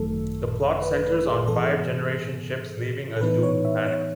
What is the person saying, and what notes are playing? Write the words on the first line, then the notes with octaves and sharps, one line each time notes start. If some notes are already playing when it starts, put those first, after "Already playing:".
The plot centers on five generation ships leaving a doomed planet.
Already playing: G#1 F#2 D#3 F#3 A3 A4
A4
B4
B4
G#4
G#2 E3 B3 A4
G#4
A4
A4
A2 E3 B3 D#4 B4
C#5
E5
C#5